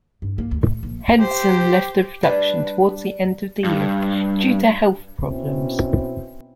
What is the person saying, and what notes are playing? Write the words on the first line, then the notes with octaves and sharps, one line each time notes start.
Henson left the production towards the end of the year due to health problems.
G2
A#3
D2
A2
A#1
G4 C5
G3 D4 B4
G2
B2 C4 C#4 E4